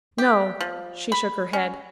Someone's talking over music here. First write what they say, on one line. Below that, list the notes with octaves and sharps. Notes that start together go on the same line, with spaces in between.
"No." She shook her head.
G4
F3
B5
C#4